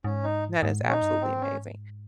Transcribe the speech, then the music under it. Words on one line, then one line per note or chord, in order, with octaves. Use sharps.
that is absolutely amazing,
G#2 C#4
D#4
G#2
A#2
C#4
D#4
G2
G#2 C4
C#4